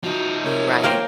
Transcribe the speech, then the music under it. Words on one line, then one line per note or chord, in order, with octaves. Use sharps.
Mm right.
F3 D#4 F#4
A#4 C#5
A#3 A#4 C5 G5